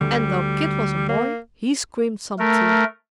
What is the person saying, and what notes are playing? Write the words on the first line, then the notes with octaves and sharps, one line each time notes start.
And, though Kit was a boy, he screamed some too.
D2 G3
A#3
A3 A#4